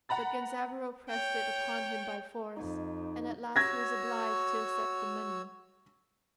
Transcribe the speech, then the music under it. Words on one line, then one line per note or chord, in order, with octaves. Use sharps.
But Genzaburo pressed it upon him by force, and at last he was obliged to accept the money.
F#5 A#5 B5 A6
C#5 G5
F2 D#4
F#4 C#5 E6 G#6 A#6